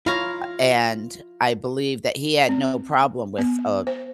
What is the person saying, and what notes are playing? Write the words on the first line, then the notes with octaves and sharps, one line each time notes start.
uh, and I believe that he had no problem with, uh
E4 F4 C#5 F5 A#5
C4
B3
C5